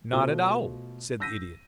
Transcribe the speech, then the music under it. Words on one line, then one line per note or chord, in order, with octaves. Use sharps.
"Not at all," said the Idiot.
B2 A3 F4 C5 G7
E6 G6 A#6 B6 D#7